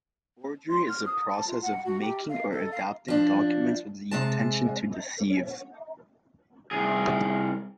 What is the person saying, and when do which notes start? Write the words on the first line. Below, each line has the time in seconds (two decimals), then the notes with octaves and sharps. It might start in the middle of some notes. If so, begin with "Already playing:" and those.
Forgery is the process of making or adapting documents with the intention to deceive.
0.69 C6
0.89 F6
1.05 D#6
1.28 A5
1.47 F4
1.62 F#5
1.85 F#4
2.00 G4
2.29 F5
2.51 A4
2.71 F5
3.08 F3 D4
4.11 C3 G#3 A5
6.71 C2 G#4